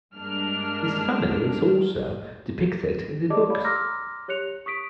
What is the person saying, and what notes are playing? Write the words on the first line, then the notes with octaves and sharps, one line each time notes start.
His family is also depicted in the books.
G2 G#3 A#3 D4 F6
G4 G#4 D5 D#5 A5 D6
C#5 D5 F5 B5
A#5 C6 D6 E6 F6 A#6
G4 C#5 F#6 C#7 F7
C#6 D#6 B6 D7